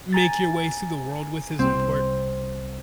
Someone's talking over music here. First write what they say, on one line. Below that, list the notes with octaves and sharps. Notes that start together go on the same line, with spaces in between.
make your way through the world with is important.
G#5 A#5 A6
C2 C4